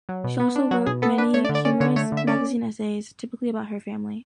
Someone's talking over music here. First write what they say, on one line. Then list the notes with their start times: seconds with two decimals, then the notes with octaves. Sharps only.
She also wrote many humorous magazine essays, typically about her family.
0.09 F#3
0.24 B2
0.40 B3
0.56 D4
0.71 F#3 F#4
0.86 B2 G#4
1.02 B3 A4
1.18 D4 B4
1.34 A3 C#5
1.45 D5
1.49 D3
1.55 D5
1.65 C#4 D5
1.80 D3 C#5
1.96 A3 C#5
2.12 D3
2.17 E5
2.27 C#4 D5